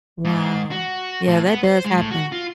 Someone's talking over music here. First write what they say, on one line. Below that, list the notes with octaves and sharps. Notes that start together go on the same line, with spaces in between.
Wow. Yeah, that does happen.
G#2
F#4
A2
B3
C5
G#3
A2
F#4
F4